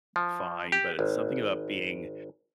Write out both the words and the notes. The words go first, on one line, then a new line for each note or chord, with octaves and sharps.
fine, but it's something about being
F3
G4
G#1